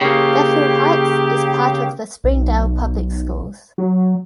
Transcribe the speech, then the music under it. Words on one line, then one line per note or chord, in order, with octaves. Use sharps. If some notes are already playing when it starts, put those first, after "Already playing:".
Bethel Heights is part of the Springdale Public Schools.
C#3 A#3 G4
B1
F#3